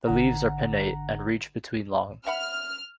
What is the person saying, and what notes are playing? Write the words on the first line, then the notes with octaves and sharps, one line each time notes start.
The leaves are pinnate, and reach between long.
G#1 D3 F#5 A#5
E5 F#5 B5 F6